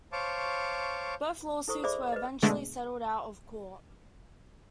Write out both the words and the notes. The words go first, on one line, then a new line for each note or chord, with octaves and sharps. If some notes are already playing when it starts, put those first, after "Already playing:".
Both lawsuits were eventually settled out-of-court.
C5 C#5 F5 A5 C#6 D6
E4 A4 C5 C#6 D#6
G#4 C5 D5 E5 B5 D6
B4 D#5
B2 D3 G#3 A3 D4